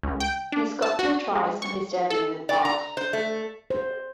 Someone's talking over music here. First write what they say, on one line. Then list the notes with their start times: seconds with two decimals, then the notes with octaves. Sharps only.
He scored two tries on his debut with Bath.
0.03 C#2
0.20 G5
0.52 D4
0.82 A5
0.99 F#4
1.35 G#3
1.62 C#6
2.10 A4
2.49 D5
2.65 A#5
2.97 C5
3.13 A3
3.70 C5